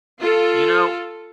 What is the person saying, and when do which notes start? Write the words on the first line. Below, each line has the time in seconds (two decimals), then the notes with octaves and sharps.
you know,
0.21 F4 A4